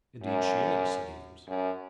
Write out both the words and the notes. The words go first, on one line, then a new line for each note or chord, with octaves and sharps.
"Indeed she is," said Eames.
F#2
F#2